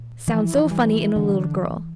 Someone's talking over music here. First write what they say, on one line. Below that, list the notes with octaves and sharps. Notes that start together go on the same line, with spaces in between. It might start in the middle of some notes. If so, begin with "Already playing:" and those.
It sounds so funny in a little girl.
Already playing: A#2
E3 F3
E3 G3
D3 E3